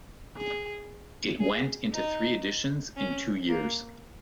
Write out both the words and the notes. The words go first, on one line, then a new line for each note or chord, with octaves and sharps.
It went into three editions in two years.
G#4
G#4
D#4
C#4
A#3